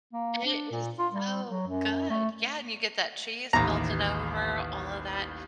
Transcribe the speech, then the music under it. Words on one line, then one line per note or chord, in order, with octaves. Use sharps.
It is so good. Yeah and you get that cheese melted over, all of that.
A#3
D4
A#2
F4
G3
F#3
F#2
A3
A1 D#2 E3 A#5